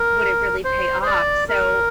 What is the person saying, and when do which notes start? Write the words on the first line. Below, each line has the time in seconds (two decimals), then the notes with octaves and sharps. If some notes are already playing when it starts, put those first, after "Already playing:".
would it really pay off, so,
Already playing: A#4
0.65 C5
1.02 C5
1.06 D5
1.49 A#4